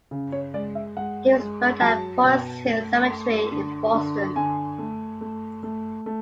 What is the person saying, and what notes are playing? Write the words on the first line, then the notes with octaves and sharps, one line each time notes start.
He was buried at Forest Hills Cemetery in Boston.
C#3
C#5
G#3 D5
E5
G#3 F#5
G#3
F#3 A5
B2
A3
A3
D3
D3
D3 G#5
A3
A3
A3
A3